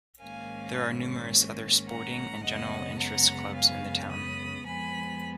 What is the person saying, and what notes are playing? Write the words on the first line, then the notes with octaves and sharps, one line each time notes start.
There are numerous other sporting and general interest clubs in the town.
G#2 D#3 A#3 C#4 F5 G#5
F#5 A#5
F#2 C#3 G#3 B3 D#5 F#5
F#5 A#5
F5 G#5
B5 D#6
F2 F3 G#3 B3 G#5 B5